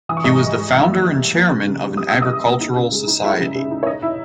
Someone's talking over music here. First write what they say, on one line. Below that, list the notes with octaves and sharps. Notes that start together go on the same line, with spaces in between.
He was the founder and chairman of an Agricultural Society.
E3 D#6
C#6
G#2 D#5 D#6
G3
G#2
E3 E5 E6
A#3
G3
G3
A#3
C#3
C#3
G3
G3 D#6
C#3 E6
D#5 D#6
G3
A#3
D#4
C#3
G#3
D#4
G#3 E4 E5
C#3
C#3
D#4
C#5
D#4 D#5
D#4 E4 E5